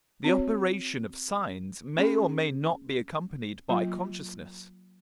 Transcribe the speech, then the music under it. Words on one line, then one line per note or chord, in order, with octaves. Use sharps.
The operation of signs may or may not be accompanied by consciousness.
C4 F#4 C#5
A#3 C#4 G#4
F#3 A#3 F4